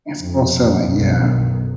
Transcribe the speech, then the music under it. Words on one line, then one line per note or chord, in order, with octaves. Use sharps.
It's for selling, yeah.
F2
B1 F#2 B2 D#3